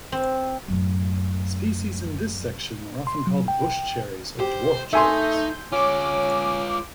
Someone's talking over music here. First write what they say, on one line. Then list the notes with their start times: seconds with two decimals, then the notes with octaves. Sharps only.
Species in this section are often called bush cherries or dwarf cherries.
0.12 C4
0.68 F#2 A2
3.07 C6
3.27 F#3
3.48 G5
4.40 G4 C5
4.93 A3 D#4 E5 G#5 C6 G6
5.72 C#4 F4 C#5 D6